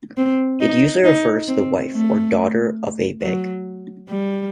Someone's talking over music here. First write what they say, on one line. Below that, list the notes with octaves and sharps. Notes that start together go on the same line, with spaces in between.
It usually refers to the wife or daughter of a "beg".
C4
D#4
D#4
C4
A3
F#3
G3